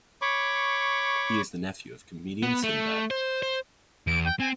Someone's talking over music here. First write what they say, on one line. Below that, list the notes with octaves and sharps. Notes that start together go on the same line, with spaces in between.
He is the nephew of comedian Sinbad.
C#5 B5 C#6 D6
B3
A3
C5
C5
E2 D7
G5
C4 G#5